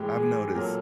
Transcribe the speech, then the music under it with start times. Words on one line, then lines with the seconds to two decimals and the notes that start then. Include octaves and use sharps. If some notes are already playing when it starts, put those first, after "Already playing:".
I've noticed
Already playing: A2 E3 G#3 G4
0.17 G#4
0.55 A#2 F#3 A#4
0.64 A4